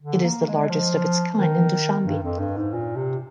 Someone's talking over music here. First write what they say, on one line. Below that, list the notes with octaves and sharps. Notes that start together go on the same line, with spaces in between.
It is the largest of its kind in Dushanbe.
D3
A#3
G#3
F3
D#3
G2
F2
G2
G#2
A#2
C3